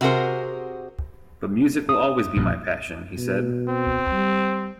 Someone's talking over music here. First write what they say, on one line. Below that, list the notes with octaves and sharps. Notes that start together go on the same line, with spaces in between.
But music will always be my passion, he said.
C3 F#4 G#4 A#4 C5
D#6
A#1 F2
B2
C4
G3